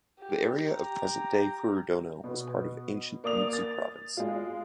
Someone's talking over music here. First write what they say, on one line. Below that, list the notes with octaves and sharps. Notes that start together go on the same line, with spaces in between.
The area of present-day Furudono was part of ancient Mutsu Province.
G4
G4 A#5
B2 B3
A#3 D5 D#6 F7
A6
G#3 F4